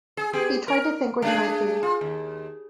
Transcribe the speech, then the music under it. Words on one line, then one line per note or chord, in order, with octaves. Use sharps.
He tried to think where he might be.
G#4
B3 G4 G#4
A#4
A3 D4 G#4
F4
D#2